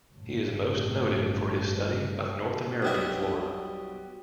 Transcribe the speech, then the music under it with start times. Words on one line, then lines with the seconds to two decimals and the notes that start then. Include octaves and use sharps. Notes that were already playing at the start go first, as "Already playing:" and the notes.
He is most noted for his study of North American flora.
0.14 G1 A2
2.82 B1 G3 F#4 G4 E5